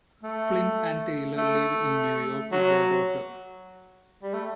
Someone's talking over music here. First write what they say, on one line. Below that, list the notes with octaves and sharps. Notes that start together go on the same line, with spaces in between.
Flynn and Taylor live in New York with their daughter.
A3
A3
F#3
G3
A3